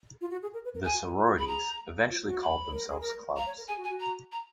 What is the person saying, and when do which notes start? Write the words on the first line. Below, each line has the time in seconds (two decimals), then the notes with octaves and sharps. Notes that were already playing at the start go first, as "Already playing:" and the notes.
The sororities eventually called themselves Clubs.
0.21 F4
0.31 F#4
0.42 G#4
0.52 A#4
0.64 B4
0.73 A#4
0.84 G#4 G#5
0.94 F#4
1.05 F4
1.16 F4
1.26 F#4
1.36 G#4 B5
1.47 A#5
2.10 F4
2.25 F#4
2.41 B5
2.73 A#4
2.87 G#4
3.00 A#4
3.36 F5 A#5
3.47 C#5
3.57 A#4
3.67 G#4 G#5
3.78 F#4
3.84 G#5
3.89 F#4
4.00 A#5
4.31 A#5